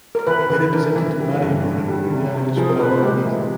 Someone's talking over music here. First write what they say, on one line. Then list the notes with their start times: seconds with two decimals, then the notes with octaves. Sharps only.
He represented Maryborough in the Irish Parliament.
0.15 A#4
0.27 E3 B4
0.50 E3 B4
0.73 D4 A#4
0.96 E3
1.19 G3
1.42 G2
1.65 D3
1.88 G3
2.11 C3
2.34 C3
2.57 F3 G#4
2.69 A#4
2.80 C3 B4
2.91 C5
3.03 G#3 G4
3.26 E3